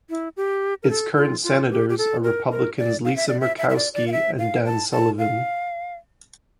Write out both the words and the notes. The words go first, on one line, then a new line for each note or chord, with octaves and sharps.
Its current senators are Republicans Lisa Murkowski and Dan Sullivan.
E4
G4
A#4
A4
F4
F4
G4
G4
A4
A#4
A#4
D5
F5
E5
D5
E5
E5
E5
D5
D5
F5
E5
F5
A5
A5
F5